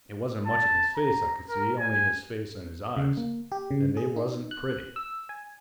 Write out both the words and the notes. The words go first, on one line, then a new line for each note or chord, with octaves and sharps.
It wasn't much of his face I could see, only his face and his eyes,--and they wasn't pretty.
A5
A#5
A#4
G#5
C#3
A#3
G4
C#3
G#4
D#4
F#6
E6
G#5